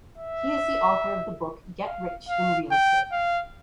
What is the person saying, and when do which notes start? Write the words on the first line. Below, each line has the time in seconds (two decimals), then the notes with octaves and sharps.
He is the author of the book "Get Rich in Real Estate".
0.18 E5
1.86 F5
2.29 F5
2.71 G5
3.12 F5